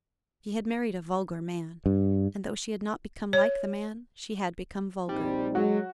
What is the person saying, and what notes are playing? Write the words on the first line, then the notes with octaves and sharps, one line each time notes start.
She had married a vulgar man; and, though she had not become like the man, she had become vulgar.
G2
C#5
A#1 G3 C4 D#4
F#3 G#3 F#4